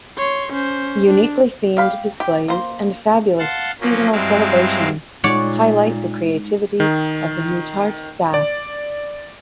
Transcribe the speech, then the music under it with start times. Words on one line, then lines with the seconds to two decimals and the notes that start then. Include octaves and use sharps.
Uniquely themed displays and fabulous seasonal celebrations highlight the creativity of the Muttart staff.
0.18 C#5 C6
0.53 C#4 C5
1.07 D4
1.77 G4 F5 B5
2.20 G4
2.48 A#3 C5
3.39 F5 F#5 A5 C6
3.81 F3 F#3 A#3 C#4
4.12 G2 F#3 G#3 C4 E4 F5
5.24 A#2 G#3 D#4 C#5 D5 F#5
6.80 D#3
8.34 D5